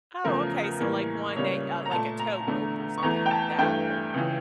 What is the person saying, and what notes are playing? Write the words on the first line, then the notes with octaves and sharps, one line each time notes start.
Oh, okay, so, like, one that uh, like, a tow rope or something like that, right?
E2 C#3 F3 A3 A#4
A2 E3 G3 A#3
C#2 C#3 G3 A#3 C#5
A#5
A#2 A3 A5
A#5
E2 D3 A3
C#6
E2 E3 A3 A#5
G5
A5
G2 E3 A3 G5
C#2 C#3 E3